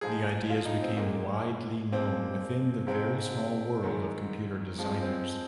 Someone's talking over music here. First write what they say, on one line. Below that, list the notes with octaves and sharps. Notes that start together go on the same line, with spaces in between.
The ideas became widely known within the very small world of computer designers.
G#2 F3 G#3 G#4
F4
D#4
C4
A#2 G#3 A#3
A#2 F3 G#3 C4
G#2 F3 G#3 C4
G#2 D#3 G#3
F2 F3 G#3
C4